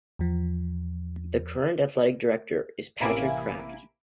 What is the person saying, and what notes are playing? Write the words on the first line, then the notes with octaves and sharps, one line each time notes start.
The current athletic director is Patrick Kraft.
E2 F3
A1 C3 A#3 E4 G#5 D7